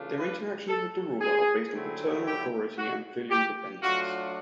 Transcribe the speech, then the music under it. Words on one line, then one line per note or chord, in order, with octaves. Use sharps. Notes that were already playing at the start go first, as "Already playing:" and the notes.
Their interactions with the ruler are based on paternal authority and filial dependence.
Already playing: C#3 E3 A3 D4 F4
B4
A4
G#4
D3 F#3 A3 C4 E4
G4
F#4
G4
F#3 A3 D4 F4 F#4